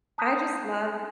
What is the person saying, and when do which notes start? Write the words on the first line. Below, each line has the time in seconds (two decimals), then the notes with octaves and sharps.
I just love
0.18 A5 A#5 D#6 F#6 G6 B6